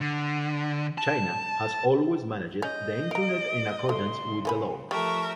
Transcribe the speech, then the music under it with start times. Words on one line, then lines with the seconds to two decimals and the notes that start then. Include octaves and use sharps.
China has always managed the Internet in accordance with the law.
0.01 D3
0.98 A5
2.62 C#4 D#5 G6
3.11 F5 A#5 D7
3.89 C#3 A3 C6
4.45 A3 C5 G#5 B5
4.91 F3 G3 A3 A#4 E5 C#6